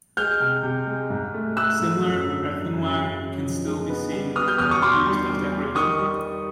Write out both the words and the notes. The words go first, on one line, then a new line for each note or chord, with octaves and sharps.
Similar earthenware can still be seen used as decorations.
G#3 F6 G6
C3
C3
G#3
G#2
A3
A3 E6 F#6
G#2
F#2
D3
D3
F#2
C#3
C#3
F3
G#3
B3
G3
B3 D#6 F6
F6 G6
E2 D#6 F6
C#6 D#6
B2 C6 D6
G3
G3
G3
D#3 C#6 D#6
G3